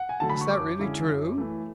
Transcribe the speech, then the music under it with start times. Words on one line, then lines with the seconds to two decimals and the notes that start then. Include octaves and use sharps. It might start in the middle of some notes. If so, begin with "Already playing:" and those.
"Is that really true?"
Already playing: F#5
0.09 G#5
0.20 D3 F#3 A3 A5
0.30 B5
0.41 C#6
0.51 F#2 D6
0.79 D3 G#3 C#4 E4
1.09 F#2
1.38 E3 A3